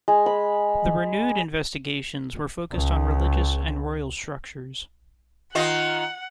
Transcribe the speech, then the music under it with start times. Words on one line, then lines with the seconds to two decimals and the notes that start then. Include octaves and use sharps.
The renewed investigations were focused on religious and royal structures.
0.08 G#3
0.26 B5
2.73 C#2
5.55 D#3 F4 D#5 F#5